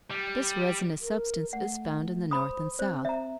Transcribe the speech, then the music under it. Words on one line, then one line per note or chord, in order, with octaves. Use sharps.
This resinous substance is found in the north and south.
G3
A#4
A3 F#5
C5 B5 D#6
C4 C5
E5 A#5